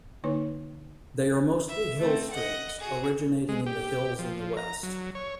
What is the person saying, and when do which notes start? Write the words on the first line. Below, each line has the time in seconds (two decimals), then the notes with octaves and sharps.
They are mostly hill streams, originating in the hills in the west.
0.24 D3 A#3 D#4 E4 B4 C#5
1.68 E5
1.99 A3 C4
2.31 D#5 F#5
2.80 F#4 G#4
3.49 G#3
3.66 G4
4.19 F3
4.57 A#5
4.83 F#3
5.15 C#5